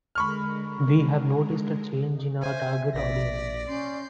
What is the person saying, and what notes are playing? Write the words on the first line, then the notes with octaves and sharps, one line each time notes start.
We have noticed a change in our target audience.
D3 G#3 A#4 B5 C#6 F6
C5 E5 G#5
A#1 D5 A#6 B6
C#4 C6 G6